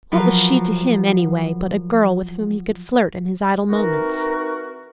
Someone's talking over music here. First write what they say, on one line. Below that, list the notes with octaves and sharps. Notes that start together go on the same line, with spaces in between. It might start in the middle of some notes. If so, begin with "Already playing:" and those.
What was she to him anyway but a girl with whom he could flirt in his idle moments?
F3 F#3 A#4 B4
E3 C4 D#4 F#4 A#4